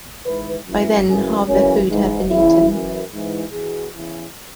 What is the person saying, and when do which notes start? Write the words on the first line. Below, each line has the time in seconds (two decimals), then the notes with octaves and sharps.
By then half their food had been eaten.
0.26 G#2 E3 B4
0.67 F#2 E3
1.08 F#2 C#3 E3 G#4
1.48 F#2 C#3 E3 C#4
1.89 G#2 E3
2.30 E2 C#3 E3 E4
2.71 F#2 E3
3.12 G#2 E3
3.52 E2 B2 G#4
3.93 E2 C#3 E3